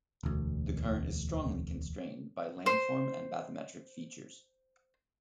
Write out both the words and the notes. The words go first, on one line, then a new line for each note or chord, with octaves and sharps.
The current is strongly constrained by landform and bathymetric features.
E1 D2
C5 C6